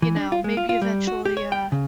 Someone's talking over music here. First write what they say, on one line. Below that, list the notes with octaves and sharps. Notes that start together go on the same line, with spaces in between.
you know, maybe eventually, uh,
E3
D4
F4
G#3
F4
F4
G3
F#4
G4
C#5
G5
C#3